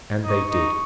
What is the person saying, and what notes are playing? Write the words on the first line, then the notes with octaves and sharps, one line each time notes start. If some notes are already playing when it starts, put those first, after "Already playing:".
And they did.
D#4 C#6 D#6
D#4